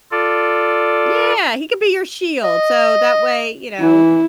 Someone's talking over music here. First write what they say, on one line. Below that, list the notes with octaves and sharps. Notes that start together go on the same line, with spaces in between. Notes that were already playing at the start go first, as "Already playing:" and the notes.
Yeah, he could be your shield, so that way, you know?
F4 A4 D5
D#5
E3 E4